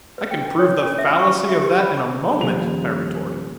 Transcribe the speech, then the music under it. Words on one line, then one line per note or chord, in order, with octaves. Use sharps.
"I can prove the fallacy of that in a moment," I retorted.
B4
G5
D4
C#5
C#4
E5
C#6
F#4
E5
G4
B5
D6
D#1 F3 F7